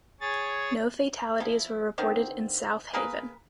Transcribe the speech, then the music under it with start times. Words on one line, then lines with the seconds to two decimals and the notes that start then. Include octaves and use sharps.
No fatalities were reported in Southaven.
0.21 G#4 C#5 A6
1.40 F3 E4
1.98 D3 D#3 C4
2.93 A#3 G#4 A#4 B4